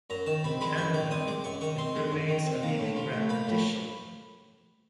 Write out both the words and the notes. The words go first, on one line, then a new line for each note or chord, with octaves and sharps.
In Canada, it remains a leading brand of dish soap.
F#2 A#5
D#3 A5
C4 B5
G#3 B5
F#2 C#6
D#3 D6
C4 D#6
G#3 D6
F#2 C#6
D#3 C#6
C4 C6
G#3
F#2
D#3
C4
A#3
A2
F3
A2
A#3 B5
A2